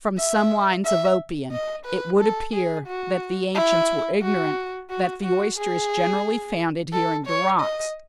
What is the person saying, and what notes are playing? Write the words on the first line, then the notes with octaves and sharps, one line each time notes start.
From some lines of Oppian, it would appear that the ancients were ignorant that the oyster is generally found adhering to rocks.
E5
E5
D#5
B4
A4
G#4
F#4
E4
F#4
F#4
F#4
G#4
A4
C#5
D#5